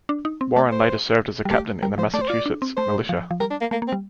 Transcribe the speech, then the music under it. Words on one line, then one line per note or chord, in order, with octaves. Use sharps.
Warren later served as a captain in the Massachusetts Militia.
D4
D#4
C4
A3 D5
C5
G3
A3 G4
G3 A#4
F3 C5
A3 D5
C5
F4 D5
D4
C4
A3 C5
F3
F3
G3 A#4
D4
A#3
A3 A#3
A#3
C4
G3